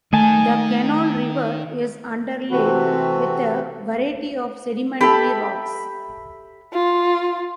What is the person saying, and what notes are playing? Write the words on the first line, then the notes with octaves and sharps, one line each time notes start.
The Cannon River is underlaid with a variety of sedimentary rocks.
D#3 A3 D#5 G#5 A5
C3 E3 A3 C4 F#4 B4
G4 A4 E5 B5
F4